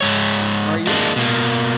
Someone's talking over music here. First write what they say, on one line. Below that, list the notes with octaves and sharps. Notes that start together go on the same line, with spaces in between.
"Are you?"
G#2 G#3 C#5
G#3 A#3 D4
B2 A#3